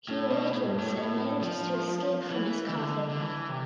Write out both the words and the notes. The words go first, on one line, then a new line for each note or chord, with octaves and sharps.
He awakens and manages to escape from his coffin.
A2
B2
A2
G2
A2
A2
F3
E3
E3
D3
D3
E3
C3